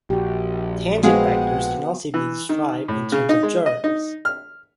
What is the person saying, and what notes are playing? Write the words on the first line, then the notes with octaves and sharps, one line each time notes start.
Tangent vectors can also be described in terms of germs.
A#1 F#4 G4
G#3 B3 C4 F#4 G#4 F5 F#5
E3
D#3
A2
C#3
D#4
G#3
D#5
D#4
F6